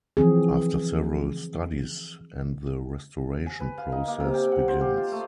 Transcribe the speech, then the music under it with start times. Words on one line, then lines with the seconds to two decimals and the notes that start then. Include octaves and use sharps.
After several studies and the restoration process begins.
0.17 E3 F3 C4 G#4
3.46 G#5
3.60 B4
3.78 F5
3.92 D#4
4.08 A#3
4.20 C3
4.34 G5
4.52 F#5
4.68 C5
4.81 G4
4.97 F4
5.12 A3